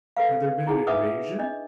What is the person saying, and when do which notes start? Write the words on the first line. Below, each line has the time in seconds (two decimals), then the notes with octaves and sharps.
Had there been an invasion?
0.17 A4 B4 F5
0.66 D#4 E4 G#4 F#5
0.87 D4 B4 E5 F#5 D6 D#6
1.39 D4 D#5